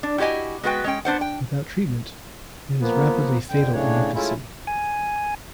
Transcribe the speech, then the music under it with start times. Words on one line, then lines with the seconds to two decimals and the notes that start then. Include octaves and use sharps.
Without treatment, it is rapidly fatal in infancy.
0.03 D4
0.18 E4 F#4 G4 D#5 G#5
0.63 G#3 B3 F#4 B4 G5
0.84 G#3 C#4 G5
1.05 B3 D4 C5 F#5
1.21 G5
2.81 F3 A#3 B3
3.50 F2 D3 G5
3.72 A2 C#3 D4 C#5
4.15 G#3 A3 C#4 E4 F4
4.67 G#5